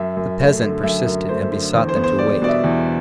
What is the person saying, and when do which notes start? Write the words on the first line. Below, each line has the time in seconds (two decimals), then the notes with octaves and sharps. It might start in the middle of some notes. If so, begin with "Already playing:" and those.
The peasant persisted and besought them to wait.
Already playing: F#2 E5
0.17 F#2
0.40 A3
0.62 D3
0.83 F#2 E5
1.06 F#2
1.29 A3 C5
1.51 D3
1.74 E2 C5
1.89 C5
1.96 B3
2.04 C5
2.19 G3 D5
2.42 B2 D5
2.48 E5
2.64 E2